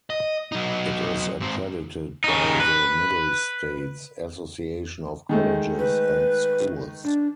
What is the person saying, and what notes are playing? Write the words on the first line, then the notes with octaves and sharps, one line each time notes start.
It is accredited by the Middle States Association of Colleges and Schools.
D#5
F#3 D#4
G#2 C4
C#3 D#4
B4
D#3 G#3 A3
B4
D4